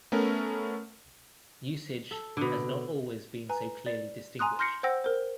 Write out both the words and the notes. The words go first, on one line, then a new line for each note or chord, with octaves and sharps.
Usage has not always been so clearly distinguished.
A3 B3 C#4 A#4
A4
B2 D3
B4 G#5 A#5
D5
G#5 A#5 C6 D#6 F#6
C6 F6 G6 A#6 C7 C#7
C5 F#5 G5 E6 A#6
A#4 C5